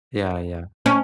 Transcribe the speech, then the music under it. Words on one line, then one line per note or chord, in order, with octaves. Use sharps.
Yeah, yeah.
C#4